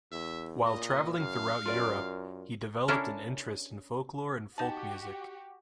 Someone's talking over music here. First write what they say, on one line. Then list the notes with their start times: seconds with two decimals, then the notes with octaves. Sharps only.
While traveling throughout Europe, he developed an interest in folklore and folk music.
0.12 E2 E5
0.65 A#2 D#5
1.18 F#2 F5
1.66 F#2 F4 A#4 D5
2.88 C#4 D4 E4 A4 A#4
4.58 D#4 F#4 G4 A5